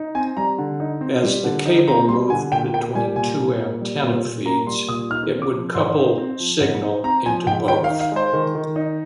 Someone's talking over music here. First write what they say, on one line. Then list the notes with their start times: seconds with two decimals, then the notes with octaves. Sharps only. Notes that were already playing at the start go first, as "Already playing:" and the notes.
As the cable moved between two antenna feeds, it would couple signal into both.
Already playing: D#4
0.15 C4 G#5
0.37 G3 A#5
0.58 D3
0.80 D#4
1.01 C4
1.23 G3
1.44 D3
1.65 D#4
1.88 C4 A#5
2.08 G3 C6
2.30 D3 G#5
2.52 A#2 G5
2.73 A#3 G5
2.95 G3 G#5
3.16 A#2 G#5
3.39 A#2
3.59 A#3
3.81 G3
4.02 A#2
4.25 A#2
4.46 A#3 A#5
4.67 G3 C6
4.88 A#2 D#6
5.10 D#4 F6
5.31 C4
5.42 D6
5.53 F3
5.75 G#2 C6
5.96 D#4
6.18 C4
6.40 F3
6.60 G#2
6.82 D#4
7.04 C4 A#5
7.25 F3 G#5
7.46 G#2 G5
7.68 D#3 G5
7.84 F5
7.90 D#4
8.00 F5
8.12 G#3 C5
8.33 D#3
8.55 D#3
8.76 D#4